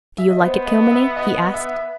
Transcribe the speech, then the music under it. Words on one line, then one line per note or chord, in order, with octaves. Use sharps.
"Do you like it, Kilmeny?" he asked.
E5
D#5
B3 C5
D#5
E5
D#5
E5